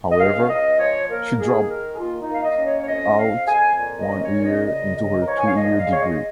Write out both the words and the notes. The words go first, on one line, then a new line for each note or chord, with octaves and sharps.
However, she dropped out one year into her two-year degree.
D#5
C#2 F5
C#2 D#5
F3 C#5
A#3 A#4
D#3 G#4
D#3 A#4
G#4
A#3 F4
D#4
A#3 F5
D#5
C#4
C#5
C#5
F2 D#5
F2 F5
F2 G#5
A#2
D#5
C#4
C#5
A#2
D#5
C#3 D#5
C#2 D#5
A#4
F3 C#5
G#5
F5
A#2 D#5
F5
G#3
C#5
D#5